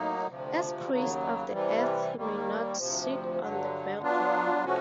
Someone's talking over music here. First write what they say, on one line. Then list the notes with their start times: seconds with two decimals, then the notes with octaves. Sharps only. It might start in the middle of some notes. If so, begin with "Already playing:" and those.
As priest of the Earth he may not sit on the bare ground.
Already playing: A2 F#3 A#3 D#4
0.27 D2 C3 F3
0.89 D#2 C#3 F#3
1.52 C3 E3 G3
2.15 D#2 D#3 G3 A#3
2.77 D2 C3 F3
3.39 G2 D3 F#3
4.02 F#3 B3 D4 F4
4.65 C3 F3 A3 C#4 F#4